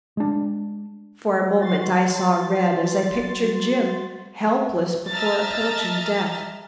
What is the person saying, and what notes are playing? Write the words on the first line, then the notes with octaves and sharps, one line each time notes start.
For a moment I saw red as I pictured Jim, helpless before approaching death.
G#3 D4
F#3 F#4 C6 A6
D#5 E5 A5 A#5 F6 A6